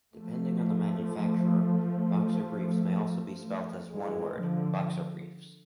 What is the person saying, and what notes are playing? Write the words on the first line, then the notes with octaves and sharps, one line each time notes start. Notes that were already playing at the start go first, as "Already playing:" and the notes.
Depending on the manufacturer, boxer briefs may also be spelled as one word: boxerbriefs.
F3 A3
E3 G#3
D3 F3